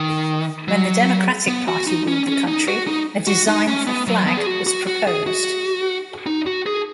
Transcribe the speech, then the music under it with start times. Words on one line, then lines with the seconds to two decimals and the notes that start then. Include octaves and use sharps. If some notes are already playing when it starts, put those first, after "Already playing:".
When the Democratic Party ruled the country, a design for flag was proposed.
Already playing: D#3
0.68 F#3
1.48 B3
1.68 F#4
1.87 D#4
2.08 C#4
2.27 C#4
2.47 D#4
2.68 F#4
2.87 D#4
3.27 F#4
3.47 D#4
3.67 C#4
3.87 B3
4.07 F#3
4.27 B3
4.37 G#4
4.46 F#4
4.67 F#4
4.87 F#4
5.07 G#4
5.27 F#4
6.26 D#4
6.46 F#4
6.66 G#4